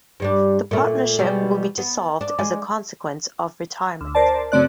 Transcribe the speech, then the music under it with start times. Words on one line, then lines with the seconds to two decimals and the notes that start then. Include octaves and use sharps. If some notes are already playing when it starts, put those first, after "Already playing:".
The partnership will be dissolved as a consequence of retirement.
0.20 G2 G3 D4
0.71 A#2 A3
1.19 B2 G3 G#3
1.78 B3
2.21 D4
2.39 G#3
4.01 D2
4.15 A#4 C5 D5 A5
4.52 F#2 C#3 A3 C4 D5 F#6